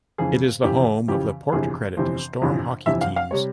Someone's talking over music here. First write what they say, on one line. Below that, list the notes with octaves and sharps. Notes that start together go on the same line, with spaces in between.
It is the home of the Port Credit Storm hockey teams.
F2 C#3 E3 G#4
F2 C#3 E3 G4
F2 C#3 E3 G4
G1 F2 C3 E3 G#4
G1 F2 C3 E3 C5
G1 F2 C3 E3
G1 F2 C3 E3 E5
F5
F5
C3 G3 C#5